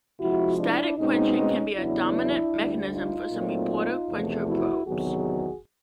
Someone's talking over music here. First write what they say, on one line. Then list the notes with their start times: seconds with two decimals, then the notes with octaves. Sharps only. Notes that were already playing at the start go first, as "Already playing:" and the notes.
Static quenching can be a dominant mechanism for some reporter-quencher probes.
0.20 C3 F3 G#3 E4 F#4
0.59 D4 E4
0.98 B2 G#3 C4 C#4 D#4
1.76 E2 C#3 F#3 B3 D4 E4
2.54 D2 D3 G3
2.92 D#4 F4
3.31 A#2 F#3 A3 C4
4.10 E2 C3 F3 A3
4.48 E4 F#4
4.87 E2 C3 D#3 F#3 B3 F#4 G#4